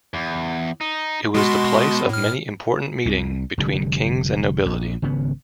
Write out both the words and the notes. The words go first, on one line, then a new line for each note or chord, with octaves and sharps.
It was the place of many important meeting between kings and nobility.
E2
D#4
B2 G#3 F#4 C6
A2 F6
C2
F1 D3 G3
A#1
G#1 C#3 B3